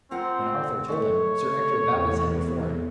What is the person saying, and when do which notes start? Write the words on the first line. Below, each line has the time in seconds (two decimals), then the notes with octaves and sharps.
When Arthur told him, Sir Ector bowed his head before him.
0.11 C4 F4 A#4 F#5
0.88 G#3 A3 C#5
1.88 E2